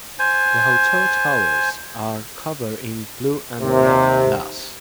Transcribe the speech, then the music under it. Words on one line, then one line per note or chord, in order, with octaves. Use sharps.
The hotel towers are covered in blue and red glass.
C5 G#5
D#2 C3